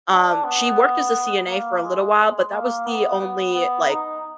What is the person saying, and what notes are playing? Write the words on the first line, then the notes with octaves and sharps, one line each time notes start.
um, she worked as a CNA for a little while, but that was the only, like,
D4
B3
A#3
G#3
A#3
B3
B3
B3
D#4